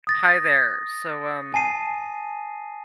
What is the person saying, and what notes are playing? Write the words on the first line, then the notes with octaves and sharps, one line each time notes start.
Hi there. So, um,
D#6 A6 A#6
G#5 A5 C7 D#7